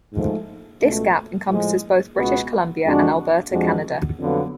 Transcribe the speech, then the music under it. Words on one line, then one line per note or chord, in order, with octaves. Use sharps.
This gap encompasses both British Columbia and Alberta, Canada.
G#2 F3 A3
C#2 B2 A3
A2 F3 G#3
C#2 B2 G#3 B3 F#4
F2 D3 G#3 D4 F#4
F2 F3 G#3 D4 F#4
F2 D3 F#3 B3 F4